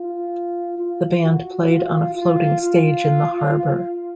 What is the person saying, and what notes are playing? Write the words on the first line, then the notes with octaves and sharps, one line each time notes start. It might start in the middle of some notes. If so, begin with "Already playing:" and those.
The band played on a floating stage in the harbour.
Already playing: F4
F4
F#4
F4
F4
F4